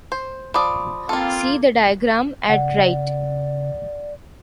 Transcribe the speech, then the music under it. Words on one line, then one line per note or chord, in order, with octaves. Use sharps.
See the diagram at right.
C5
F3 D5 B5 D6 D#6
A#3 C4 F4 A4
C#3 D5 F#5